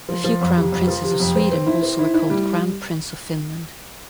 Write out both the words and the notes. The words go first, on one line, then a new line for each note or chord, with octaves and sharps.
A few crown princes of Sweden also were called "Grand Prince of Finland".
F3
F3
F2
C3
F2
F3
C3
F2
C4
C4
E4
C4
E4
E4
G3